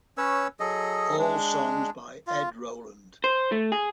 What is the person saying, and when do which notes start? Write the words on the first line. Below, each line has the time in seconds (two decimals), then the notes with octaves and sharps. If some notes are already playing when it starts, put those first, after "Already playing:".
All songs by Ed Roland.
0.18 C#4 B4 C#5 E6
0.60 F#3 G#4 A4 D#5
1.18 G#3 D4
2.27 F4
3.24 C5
3.52 A3
3.72 G#4